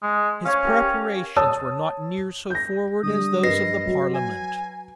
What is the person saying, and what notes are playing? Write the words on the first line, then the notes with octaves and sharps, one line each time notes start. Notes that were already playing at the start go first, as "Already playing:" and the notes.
His preparations were not near so forward as those of the parliament.
G#3
C#4 C#5 F5
G4 A#4
C#5 A5 D#6 E6
G6 A#6
D3 G3 D#6
G2 A#4 B4 D#5 A#6 C7
F#3
G#5